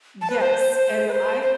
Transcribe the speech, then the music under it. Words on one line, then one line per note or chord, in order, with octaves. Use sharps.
Yes, and I
A5
B4
C5
C5
C5
B4
C5
C5